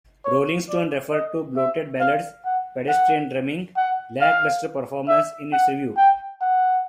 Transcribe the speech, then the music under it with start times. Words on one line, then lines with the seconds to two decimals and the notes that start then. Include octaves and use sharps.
"Rolling Stone" referred to "bloated ballads," "pedestrian drumming" and "lackluster performances" in its review.
0.25 C#5
0.69 D5
1.12 D#5
1.57 E5
2.00 F5
2.45 F#5
2.88 F#5
3.77 F#5
4.21 F5
5.08 E5
5.53 F#5
5.97 G5
6.41 F#5